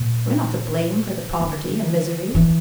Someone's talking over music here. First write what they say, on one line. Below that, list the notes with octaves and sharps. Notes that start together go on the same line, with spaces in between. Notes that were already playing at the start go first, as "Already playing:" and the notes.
We're not to blame for the poverty and misery.
Already playing: A#2
D3
E3